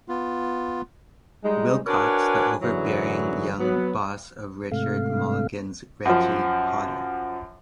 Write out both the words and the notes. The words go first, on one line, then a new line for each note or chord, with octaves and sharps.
Wilcox, the overbearing young boss of Richard Mulligan's Reggie Potter.
B3 F4
G3 G#3 D#4
D4 F#4 A#4 B4 C#5 G#5
F#2 D3 E3 F#3 F#4 G#4
F#3 B3
G#2 C3 A3 F5
F#2 F3